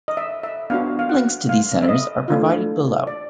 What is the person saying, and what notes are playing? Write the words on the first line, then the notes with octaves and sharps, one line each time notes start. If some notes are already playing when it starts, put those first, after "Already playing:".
Links to these centres are provided below.
D#5
E5
E5
B3 D4 F#4 F5
F5
F#5
F5
E5
D#5
A3 D4 F4
D5